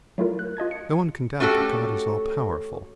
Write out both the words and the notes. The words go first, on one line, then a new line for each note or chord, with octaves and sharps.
'No one can doubt that God is all-powerful.'
F#3 A3 E4 F4 A#4
F#6
F4 D#5 A5 G#6
C#7
A3 C#4 F#4 G4 A4